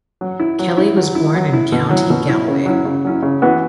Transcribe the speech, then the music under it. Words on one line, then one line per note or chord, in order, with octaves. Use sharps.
Kelly was born in County Galway.
F#3
E4
F#3
E4
F#3
E4
F#3
E4
B2
F#3 E4
B2
F#3 E4
C#3
F#3 C#4 E4
C#3
F#3 C#4 E4
C#3
E3 B3 F#4